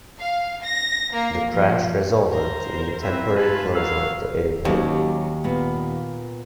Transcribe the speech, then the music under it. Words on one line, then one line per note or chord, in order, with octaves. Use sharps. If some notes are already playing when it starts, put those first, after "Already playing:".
The crash resulted in the temporary closure of the airport.
F5
A#6
A#3
F3
A#4 C5
C4 E4 B4 E5
F4 G4 B4 G#5 A5
F#3 A#4 F5 E6
D#2 F#3 C#4 G4
A#2 A#3 B3